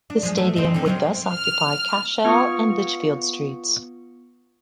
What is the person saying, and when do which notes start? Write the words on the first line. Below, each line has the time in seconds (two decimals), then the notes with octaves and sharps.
The stadium would thus occupy Cashel and Lichfield streets.
0.10 D4
0.23 F3 G#3
0.38 A3
0.56 C4 D#4 D#5
0.74 D3 C4
0.86 F#3 A#4 C5
1.28 F6
2.25 B3 F4 C#6 D#6 C#7